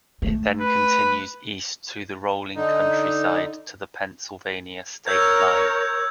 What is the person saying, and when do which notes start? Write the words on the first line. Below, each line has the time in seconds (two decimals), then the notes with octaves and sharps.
It then continues east through the rolling countryside to the Pennsylvania state line.
0.22 A3
0.61 B4
2.56 D3 D#4
5.07 A#4 C#5 E6 G6 G#6